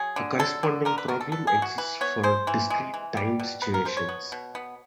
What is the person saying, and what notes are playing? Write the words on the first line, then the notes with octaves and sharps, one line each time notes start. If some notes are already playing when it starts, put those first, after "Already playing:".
A corresponding problem exists for discrete time situations.
Already playing: F#3 G#4
D3
F#3 A4
D3
D3 A#4
B4
D3 A#4
A4
B3 A4
G#4
E3
F#4
E3 B4
B3 C#5
G#3 C5
E3
G#3
E3
G3
B2
B3 B4
A#4
B2 C5
C#5
B3
B2
B3